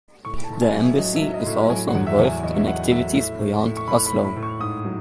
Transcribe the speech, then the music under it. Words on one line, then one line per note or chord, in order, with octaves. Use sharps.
The Embassy is also involved in activities beyond Oslo.
A2 C#6
A5
A2
G#5
F#3
E5
F#3 D#5
E5
F#3
D#5
A2
E5
F#3 G#5
F#5
E2
E5
E2
G#5
E2 D#5
E5
F#3 F#5
F#3 E5
A2 E5
A2
A2
C#6
A2 B5
B5
A2
B5
A2
C#6
G#2 D#6
F#3